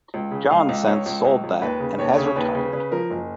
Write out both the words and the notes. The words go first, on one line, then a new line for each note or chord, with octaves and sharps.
John since sold that and has retired.
C#2
C#3
C#2 F5
C#2
C#2 C#5
C#2
C#2
C#2
D#2 B4
C#3
D#2 C#5
C#5
C#3
C#5
D#2 B4
C#3
C#3 B4
F3 A#4
F#1